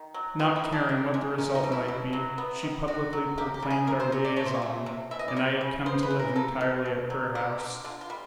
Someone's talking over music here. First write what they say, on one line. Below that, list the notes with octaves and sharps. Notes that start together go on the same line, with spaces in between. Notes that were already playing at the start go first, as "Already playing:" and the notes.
Not caring what the result might be, she publicly proclaimed our liaison, and I had come to live entirely at her house.
Already playing: D#3
F#3
B3 F4
E4
D#3
D4
D#3
G#3
A#3 C#4
D#4
B2
E4
B2
F#3
B3
D#3
D#3 F#4
F#3
A#3 G4
G4
C#3
G#4
C#3 A#4
C5
F#3 C#5
D5
A3 C#5
C5
C#5
C3
C3
E3 E5
D#5
D5
G3 C#5
C#3
B3 C5
B4
E3
A#4
A#3 A4
B2
B2
F#3
A#3 G4
D3
D3 F4
F4
G3